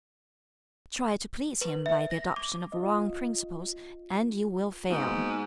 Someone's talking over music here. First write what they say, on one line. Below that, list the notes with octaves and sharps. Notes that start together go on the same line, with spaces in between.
Try to please him by the adoption of wrong principles, and you will fail.
B4
E5
A#6
D6
F4 D#5
G#2 A#3 B3 F#4